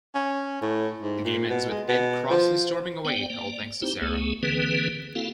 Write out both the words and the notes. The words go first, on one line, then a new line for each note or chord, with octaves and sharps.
The game ends with Ed crossly storming away, all thanks to Sarah.
C#4
A2
G#2
A#2
B2
G#3
B2
F3
B3 C5 D5 G5
A#3 D5
C4 D#4 E4 G4 C5
C#2 A3 B3 G#4
D3 E3 A#3 C4 G#4 B4
A#3 C4 E4 F#4 A4 F5